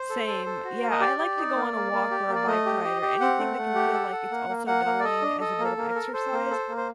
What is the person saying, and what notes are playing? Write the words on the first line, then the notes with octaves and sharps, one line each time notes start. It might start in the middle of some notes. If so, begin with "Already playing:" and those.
Same. Yeah, I like to go on a walk or a bike ride, or anything that can feel like it's also doubling as a bit of exercise,
Already playing: C5
A4
A4
A4
F#4
A#3
D#5
G4 D5
G4
D#4
A#3
A#3
A#3
G4
A#3
D5
A3 D#5
G4
G4
G4
C4 F#5
A3
A3
G4
A4
A4
A#3
A#3
A#3 F#5
A#3
D5
A4 D#5
D4
A4 D#5
A#3
A4
A#3
A4 A#4
A4 C5
A#3
A4
A#3
C5